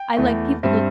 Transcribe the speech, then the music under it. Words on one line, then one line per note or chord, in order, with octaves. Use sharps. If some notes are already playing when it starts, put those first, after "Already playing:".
I like people to
Already playing: G5
E2 E3 A3
G2 G3 C4 E5